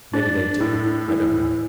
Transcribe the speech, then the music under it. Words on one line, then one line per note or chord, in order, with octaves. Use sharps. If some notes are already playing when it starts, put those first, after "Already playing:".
Mebby they do; I don't know.
D4
A2
E3